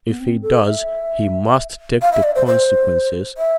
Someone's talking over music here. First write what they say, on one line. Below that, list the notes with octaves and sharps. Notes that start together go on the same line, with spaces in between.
If he does, he must take the consequences.
B3
C4
A4
E5
F5
E5
D5
C5
C5
E5